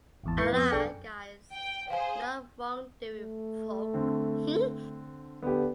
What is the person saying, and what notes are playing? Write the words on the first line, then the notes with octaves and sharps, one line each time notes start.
Allah guides not wrongdoing folk.
G#1 E2 A5
G#2 E4 B4 G6 C7 C#7
F2 B3 D#6
B1 D4 G#4 A4 G5 C#7
F#2
G5
G#4 C5 F5 G#5
A3
D3 C4
D3 B3 G4